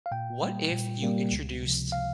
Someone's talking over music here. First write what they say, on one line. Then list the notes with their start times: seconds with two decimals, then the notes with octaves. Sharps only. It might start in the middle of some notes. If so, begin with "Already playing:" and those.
what if you introduced
0.06 F5
0.11 A#2 G5
0.42 G3 A#3
0.72 A#2
1.03 G3 A#3
1.32 C#2
1.63 C3 F3
1.92 F5